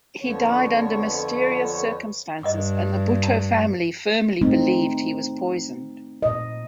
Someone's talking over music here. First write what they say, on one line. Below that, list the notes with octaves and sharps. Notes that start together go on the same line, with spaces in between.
He died under mysterious circumstances, and the Bhutto family firmly believed he was poisoned.
F2 D3 F3 B3 C#5
G2 D#5 F#5 D6
A5
A3 C4 D#4
A#2 D#5